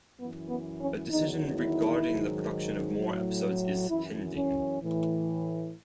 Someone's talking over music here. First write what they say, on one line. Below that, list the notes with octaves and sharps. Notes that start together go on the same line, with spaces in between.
A decision regarding the production of more episodes is pending.
F#2 E3 B3
B3
C#4
E2 D#3 F#3 D#4
E4
G#2 D#3 F#3
A2 F#3
F#2 E3 E4
C#4
A2 E3